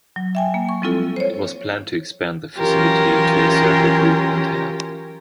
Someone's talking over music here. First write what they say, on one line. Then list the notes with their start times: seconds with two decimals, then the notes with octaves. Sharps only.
It was planned to expand the facility to a circle group antenna.
0.16 F#3
0.35 E5 G5 G#5
0.54 A#3
0.69 C#6
0.82 F3 G3 C4 E4 F4 A4
1.16 C5 C#5
2.58 E3 F#3 C#4 F4 G4 A#4